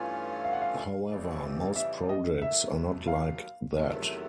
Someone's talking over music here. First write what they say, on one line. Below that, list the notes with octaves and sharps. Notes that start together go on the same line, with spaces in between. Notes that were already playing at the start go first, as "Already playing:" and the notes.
However, most projects are not like that.
Already playing: G2 E3 A3 C#4 F4
F5
F#5
F5
F2 C#3 E3 G3
E5
D#5
D#2 D#3 F#3 A3 E5
F5
E2 C3 D#3 F#3 A3